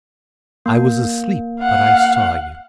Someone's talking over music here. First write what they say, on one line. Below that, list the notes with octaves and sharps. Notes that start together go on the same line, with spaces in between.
I was asleep, but I saw you.
A#3
F5 F#5